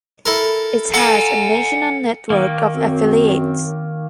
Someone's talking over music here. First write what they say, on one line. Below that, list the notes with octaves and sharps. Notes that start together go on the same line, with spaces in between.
It has a national network of affiliates.
E4 A4 A#4
A4 F5 F#5 G#5 A#5
D#3 A#3
F#2 C4